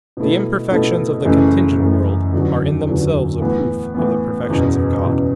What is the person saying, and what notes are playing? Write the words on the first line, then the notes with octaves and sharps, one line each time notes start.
The imperfections of the contingent world are in themselves a proof of the perfections of God.
B2 A3 E4 A4
B2 A3 E4 A4
F#1 F#2 E3 A3
F#1 F#2 E3 A3
E2 D3 F#3
E2 D3 F#3
A2 E3 B3
A2 E3 B3
F#1 E2 B2
F#1 E2 B2